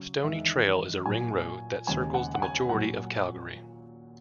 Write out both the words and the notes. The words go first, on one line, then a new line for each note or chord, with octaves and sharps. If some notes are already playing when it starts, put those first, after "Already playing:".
Stoney Trail is a ring road that circles the majority of Calgary.
Already playing: C#3 F#3
E2 D#3 G#3 E5
A#2 F#3 G#5
D#2 C#3 G#3 G#5
F#5
F#5
G#5
A#2 F#3 F#5